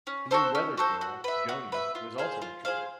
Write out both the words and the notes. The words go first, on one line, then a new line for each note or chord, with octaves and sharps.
A new weather girl, Joni, was also introduced.
C#4
F#4 A4 C5
C#4
F#4 A4 C5
F#4
B4 E5
F#4
B4 E5
F4
G#4 C5 F5
F4
G#4 C5 F5